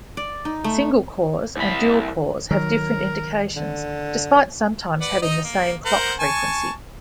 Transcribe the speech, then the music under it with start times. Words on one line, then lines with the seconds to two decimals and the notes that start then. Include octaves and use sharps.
Single-cores and dual-cores have different indications, despite sometimes having the same clock frequency.
0.17 D5
0.45 D#4
0.64 A3
1.57 C2 B5
2.51 D#3 F#3 A#4
3.56 D3
5.01 B4 D5 F#5
5.22 D#4 D#5
5.44 A#3
5.85 A#4 C5 F#5
6.19 G#5 A5 C#6